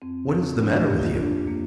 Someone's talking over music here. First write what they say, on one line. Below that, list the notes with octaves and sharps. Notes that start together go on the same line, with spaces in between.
"What is the matter with you?"
F2 C4
F3
G2 D4
G4
A#3
F4
F2 D4
A#3